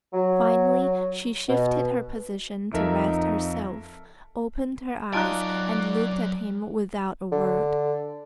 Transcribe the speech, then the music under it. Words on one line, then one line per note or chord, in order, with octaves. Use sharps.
Finally she shifted her position to rest herself, opened her eyes, and looked at him without a word.
F#3
B2
F2 D#4 A4 A#4 E5
F#3 D#4 F4 D5 G#5 A5 F#6 D7
D3